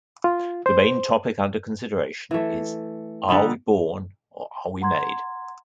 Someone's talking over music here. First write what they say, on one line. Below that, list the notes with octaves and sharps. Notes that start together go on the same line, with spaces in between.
The main topic under consideration is: "Are we born or are we made?".
F4
C5
E3 A3
D3 G3 D#4
F#5 A#5 C6 G#6